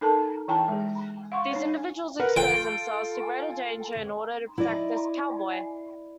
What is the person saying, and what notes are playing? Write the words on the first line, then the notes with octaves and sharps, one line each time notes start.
These individuals expose themselves to great danger in order to protect the cowboy.
D#4 A4 A#4 A5
E3 E4 G5 A5 A#5
G#3 G#4
F5 F#5 C6 C#6
D#4 C#5
A#4 B4 F#5
F4 A4 G5
E4 D5 D#5